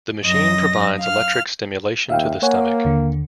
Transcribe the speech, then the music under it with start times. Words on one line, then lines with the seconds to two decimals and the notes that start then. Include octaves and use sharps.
The machine provides electric stimulation to the stomach.
0.24 F#2 D#5 A#6
1.00 F5 F6
2.10 D#2 E5 F5 G5
2.43 A#3 C#5 F#5 G#5
2.85 D#2 D3